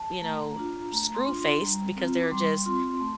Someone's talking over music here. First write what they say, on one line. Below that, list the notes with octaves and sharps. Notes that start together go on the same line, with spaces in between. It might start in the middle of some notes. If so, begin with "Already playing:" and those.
you know, screw-faced because they're just
Already playing: A5
A3 A#5
D4 F4
A3 A#5
C6
D4 F4
C6
G3 A#5
C4 F4
D6
G3 C6
C4 F4 C6
A3